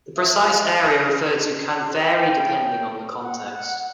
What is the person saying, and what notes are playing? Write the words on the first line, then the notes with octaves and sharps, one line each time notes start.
The precise area referred to can vary depending on the context.
E5
F5
G5
F#5
F#5